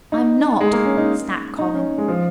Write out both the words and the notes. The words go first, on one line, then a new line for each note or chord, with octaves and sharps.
"I'm not!" snapped Colin.
D#4
G#3
A#3
C#4
D#4
D#4
C#4
G#3
F3